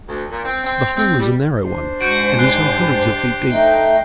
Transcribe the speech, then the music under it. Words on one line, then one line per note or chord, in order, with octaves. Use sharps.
The hole is a narrow one, and is some hundreds of feet deep.
D2
A#2
C4
C4
C4
G3
D4 C5
G#2 F#4 G6 D7
G4 F#6 C7 G7
A3 D#4 G5